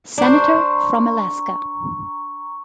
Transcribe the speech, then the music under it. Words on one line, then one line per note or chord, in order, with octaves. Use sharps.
Senator from Alaska.
D4 C5 A#5 C#6